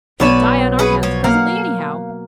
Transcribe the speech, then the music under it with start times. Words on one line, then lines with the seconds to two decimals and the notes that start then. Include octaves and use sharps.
"She'll die on our hands presently, anyhow."
0.20 B1 B3 B4 C#5 D5 E7
0.79 C#4 G#4 B4
1.03 F3 C#5
1.24 A#3 F5 F#5 F6